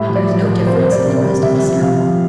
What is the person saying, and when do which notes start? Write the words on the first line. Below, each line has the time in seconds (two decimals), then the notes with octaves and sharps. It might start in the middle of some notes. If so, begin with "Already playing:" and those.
There is no difference in the rest of the ceremony.
Already playing: A2 G3 E5
0.09 F3
0.15 D5
0.28 A2
0.41 A#4
0.48 F3
0.66 C3 C5
0.75 A#4
0.83 G3 C5
0.92 D5
1.05 C3
1.17 D5
1.23 G3
1.43 C3 E5
1.63 F3
1.81 C3 F5
2.00 F3